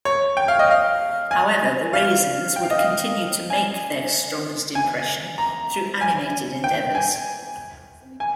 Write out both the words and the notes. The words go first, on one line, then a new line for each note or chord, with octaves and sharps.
However, the Raisins would continue to make their strongest impression through animated endeavors.
C#5
G5
F5
D#5
F5
G#5
F5
G5
F5
D#5
F5
G#5
G#5
A#5
G#5
G5
G#5
G#5